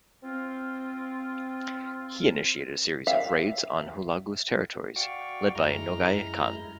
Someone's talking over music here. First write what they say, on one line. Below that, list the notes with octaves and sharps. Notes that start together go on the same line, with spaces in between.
He initiated a series of raids on Hulagu's territories, led by Nogai Khan.
C4 F4
E5 F5
F#4 D5 F5 G5 C#6
F#2 G#3 E4 A#5 F6 G6